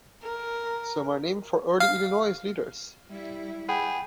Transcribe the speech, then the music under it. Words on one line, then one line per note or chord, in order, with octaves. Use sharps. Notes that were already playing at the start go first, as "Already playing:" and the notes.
Some are named for early Illinois leaders.
A#4
F5
G3 E4
G#4 F#5 G5 B5